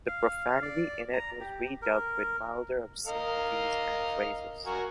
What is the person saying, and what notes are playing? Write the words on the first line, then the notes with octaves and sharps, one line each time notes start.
The profanity in it was re-dubbed with milder obscenities and phrases.
F5
D5
A#5
G4
A#4
A#4 D#5 F5
F#4 A#4 G#5